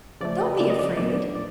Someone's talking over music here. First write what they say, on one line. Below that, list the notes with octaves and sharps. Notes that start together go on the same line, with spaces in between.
Don't be afraid.
C#3 F3 A3 D5
D#5
C#3 F3 A3 D5
D#5
D5
A#2 F#3 B3 D4 D5
A#2 D5